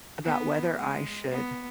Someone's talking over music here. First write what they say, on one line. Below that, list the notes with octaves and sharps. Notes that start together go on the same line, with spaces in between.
about whether I should
B3
G#3
B3